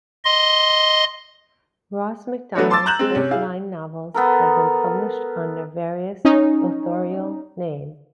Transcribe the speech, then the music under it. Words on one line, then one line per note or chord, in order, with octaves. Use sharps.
Ross Macdonald’s first nine novels had been published under various authorial names.
D#5 C6
F#3 A3 B3 D4 F#4 C#5
A5 C6 D6 E6 A6
A#5 F#6 G6 E7 F#7
G#3 C4
C3 C#4
E4 G#4 F5
B3 A4 A#4
C#4 D#4